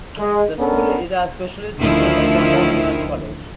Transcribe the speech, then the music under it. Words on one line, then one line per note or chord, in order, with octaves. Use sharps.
The school is a specialist visual and performing Arts College.
G#3
B3 C#4 D4 A4 A#4
D2 D#3 F3 E4 F4